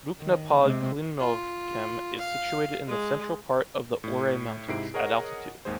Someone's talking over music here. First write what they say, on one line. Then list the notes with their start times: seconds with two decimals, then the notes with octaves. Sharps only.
Loučná pod Klínovcem is situated in the central part of the Ore Mountains, at altitude.
0.21 D#3
0.62 C3 G#3 C4
1.19 F4
2.18 F5
2.88 G#3
4.04 A2
4.68 G#2 C3 C4 E4 C7 D7
4.94 G#4 A#4 C#5 D#5 F#5
5.65 G#1 D#2 G#3 G#4 C5